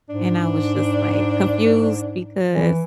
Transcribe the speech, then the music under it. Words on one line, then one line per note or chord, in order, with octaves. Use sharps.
And I was just, like, confused because
G#2 D4
E3